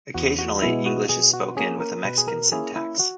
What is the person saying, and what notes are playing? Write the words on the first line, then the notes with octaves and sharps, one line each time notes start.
Occasionally, English is spoken with a Mexican syntax.
E2 F#4
F#4
B2 G#3 B3 E4
F#4
B2 G#4
F#4
A#3 C#4 G#4
A#4
B2 B4
G#4
A#4
A#3 C#4 E4 G#4
E4
F#4